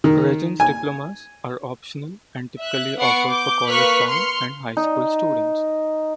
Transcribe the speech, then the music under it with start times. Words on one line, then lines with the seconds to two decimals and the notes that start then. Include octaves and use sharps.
Regents diplomas are optional and typically offered for college-bound and high school students.
0.04 D#3
0.60 G#5
2.58 E5 F#6
2.98 B3 F#5 C#6 C7 D7
3.29 D6 G6
3.68 A#3 B4 C#6 F6 F#6 B6
4.06 C6 F6 C#7
4.77 D#4